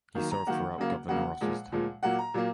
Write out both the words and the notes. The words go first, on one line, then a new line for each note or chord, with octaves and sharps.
He served throughout Governor Ross's term.
D#3 F#3 A#3
A#5
D#3 F#3 A#3 F#5
C#3 F#3 A#3
C#3 F#3 A#3 F#5
A#2 F3 G#3
A#2 F3 G#3
A#2 F#3 A#3 F#5
A#5
A#2 F#3 A#3